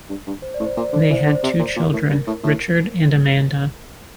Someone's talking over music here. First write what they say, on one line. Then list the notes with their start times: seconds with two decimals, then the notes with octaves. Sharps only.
They had two children, Richard and Amanda.
0.09 G2
0.27 G2
0.42 C5
0.54 D5
0.60 A2
0.66 C5
0.77 A#2 D5
0.90 D3 C5
1.00 D5
1.10 E3
1.13 C5
1.25 D3 D5
1.35 C5
1.43 C3
1.59 A#2
1.76 A#2 A#4
1.92 A2
2.09 G2
2.27 A2
2.43 A2